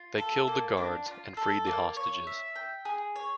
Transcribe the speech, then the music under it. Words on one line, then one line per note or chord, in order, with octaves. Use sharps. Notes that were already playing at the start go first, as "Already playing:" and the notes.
They killed the guards and freed the hostages.
Already playing: F4
A4
A#3
D4
F4
A4
A#3
C#5
E5
G5
G#4
C#5